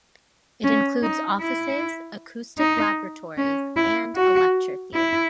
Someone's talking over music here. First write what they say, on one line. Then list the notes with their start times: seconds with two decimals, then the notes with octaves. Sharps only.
It includes offices, acoustic laboratories and a lecture theatre.
0.64 C#4
1.03 D#4
1.41 E4
2.58 D#4
3.37 C#4
3.76 E4
4.16 F#4
4.94 E4